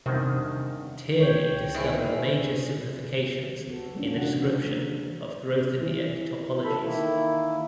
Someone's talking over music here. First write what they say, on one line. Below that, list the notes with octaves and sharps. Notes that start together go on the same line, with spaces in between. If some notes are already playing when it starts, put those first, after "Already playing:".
Tierney discovered major simplifications in the description of Grothendieck "topologies".
E2 G2 C3 D#3
C#2 C#5 G5
D#3 E4 G#4 C5 G#5
B3 F#4 A4
G3 G#3 A#3 C#4 D4 F4
C3 E3 F#4 F#5
C#3 E3 B3 C#4 F#4
E3 A#3 D4 A#4
E3
C#3 A4 B5
D#3 A#3 E4